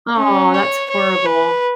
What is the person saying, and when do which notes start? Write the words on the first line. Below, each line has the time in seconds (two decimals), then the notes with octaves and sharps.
Aw, that's horrible.
0.17 C#4
0.54 C#5
0.90 C#5
1.25 B4